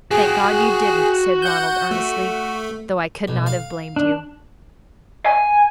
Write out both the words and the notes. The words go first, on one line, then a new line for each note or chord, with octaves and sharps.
"Thank God you didn't," said Ronald, earnestly, "though I could not have blamed you."
F#4 G#4 G5
F#5 G6
A3
B1
F5
D4
G#5